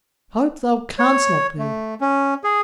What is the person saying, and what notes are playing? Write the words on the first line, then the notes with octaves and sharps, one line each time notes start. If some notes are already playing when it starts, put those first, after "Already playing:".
Pope thou canst not be.
C#5
A3
C#4
G#4